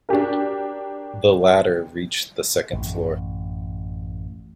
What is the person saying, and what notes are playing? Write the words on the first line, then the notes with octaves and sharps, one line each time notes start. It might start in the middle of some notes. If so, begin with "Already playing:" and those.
The ladder reached the second floor.
D4 F#4 G4 A#4
A1 F#2